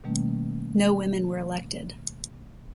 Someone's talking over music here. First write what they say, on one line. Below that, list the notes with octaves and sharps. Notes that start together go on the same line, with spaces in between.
No women were elected.
B2 D#3 G3 A3 A#3 C#4